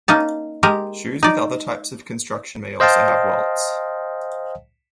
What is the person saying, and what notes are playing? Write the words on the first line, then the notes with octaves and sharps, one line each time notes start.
Shoes with other types of construction may also have welts.
A#3 C#4 D#4 A5
G#3 G4 A#4
D#4 D5
C5 D#5 F5 G5 A5